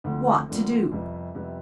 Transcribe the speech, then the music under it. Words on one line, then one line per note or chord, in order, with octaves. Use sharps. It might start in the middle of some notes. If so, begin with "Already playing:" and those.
"What to do?"
D2 D3 F3 A3 C4
D2 D3 F3 A3 C4
F2 C3 G3 B3 E4
F2 C3 G3 B3 E4